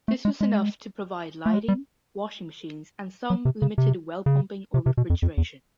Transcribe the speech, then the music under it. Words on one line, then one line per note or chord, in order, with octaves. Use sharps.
This was enough to provide lighting, washing machines and some limited well-pumping or refrigeration.
A3
G#3
G#3
A3
G#3
G3
F#3
C3
C#3
C3
C#3
C3
C3
B2
F2
F2
E2